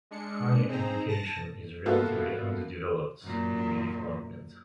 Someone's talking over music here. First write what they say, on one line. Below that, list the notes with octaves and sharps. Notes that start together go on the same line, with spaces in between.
Higher education is relatively underdeveloped in the department.
G#3 D4 C#7
C4 D#4 G#4 C5 A#5
A5 A#6
A#3 B3 F4 F#4 A4 E5
F#2 A#2